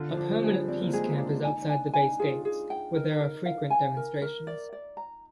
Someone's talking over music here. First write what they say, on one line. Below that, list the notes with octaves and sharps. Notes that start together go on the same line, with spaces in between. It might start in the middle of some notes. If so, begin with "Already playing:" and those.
A permanent peace camp is outside the base gates, where there are frequent demonstrations.
Already playing: D3 F4
F3
D4
F3
G#4
G3
C4 D5
A#3
G#3 G#4
A#3
D4
D#4 G#5
D4
G#5
G#5
D#4
F4 G#4
G#4
G5
D#4 A#4
A#4
F5
G#5
A#4
A#4
D5
D5
A#5